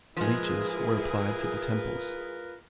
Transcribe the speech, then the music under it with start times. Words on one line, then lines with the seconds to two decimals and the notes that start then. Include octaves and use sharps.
Leeches were applied to the temples.
0.17 F3 G#3 E4 F4 G#4 A#4 B4